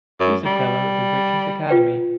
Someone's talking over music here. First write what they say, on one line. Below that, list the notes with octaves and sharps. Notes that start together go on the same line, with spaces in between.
She is a Fellow of the British Academy.
F#2
G3
F4 B4 G5